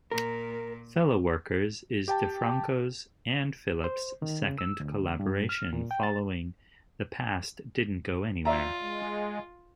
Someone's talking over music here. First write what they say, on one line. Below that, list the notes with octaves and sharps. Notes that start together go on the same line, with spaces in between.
"Fellow Workers" is DiFranco's and Phillip's second collaboration, following "The Past Didn't Go Anywhere".
A#2 A#4
G4 G5 A5
C5
D#3
C#3
E6
D2
G2
F6
A#2
G5
A6
F4 D5 E5 A#5
G#3